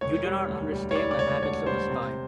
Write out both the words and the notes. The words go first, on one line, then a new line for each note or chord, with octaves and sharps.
You do not understand the habits of the spy.
E1 C#5
G3
D2
G3
C#5
G3 D5
D5
E1 C#5
D3 C#5
G3 C5
C3